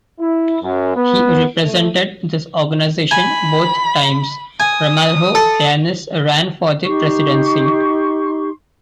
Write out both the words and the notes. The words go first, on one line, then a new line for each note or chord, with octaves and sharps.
He represented this organization both times Ramalho Eanes ran for the Presidency.
E4
F#2
B3
A3
G#5 B5
G#5 D#6
A4
D#4 G4 C6 C#6